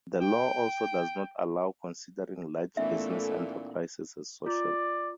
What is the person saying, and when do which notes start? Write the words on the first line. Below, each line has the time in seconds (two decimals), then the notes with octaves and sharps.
The law also does not allow considering large business enterprises as social.
0.20 G5
2.77 A#2 E3 A3 B3 C#4 D#4 A4 E5
4.46 F4 D5